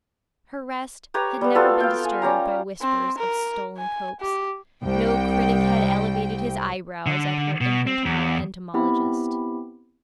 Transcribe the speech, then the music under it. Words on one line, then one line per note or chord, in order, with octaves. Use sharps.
Her rest had never been disturbed by whispers of stolen copes; no critic had elevated his eyebrows at her infantile entomologist.
G4 B4 C#5 A#5
G3 B3
B3 F4 F#4 A4
F5 G5
G#5
G3 C#4 G4 A#5
C4
A#4
G#5
G4
C2 G5
D3
B2
C4
E2
B3 C4 E4 G4 B5